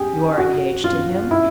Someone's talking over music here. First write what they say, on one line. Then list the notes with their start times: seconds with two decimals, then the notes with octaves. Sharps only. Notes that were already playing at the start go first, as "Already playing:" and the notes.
"You are engaged to him?"
Already playing: G4 G#4
0.38 F#4
0.84 F4
1.31 E4